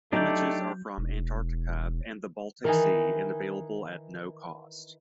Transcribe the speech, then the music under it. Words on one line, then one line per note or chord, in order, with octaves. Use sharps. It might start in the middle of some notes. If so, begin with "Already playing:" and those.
Images are from Antarctica and the Baltic Sea and available at no cost.
F#3 A3 D4 D#4 G4 D5 G6
E1
D#3 E3 D#4 A#4 G#5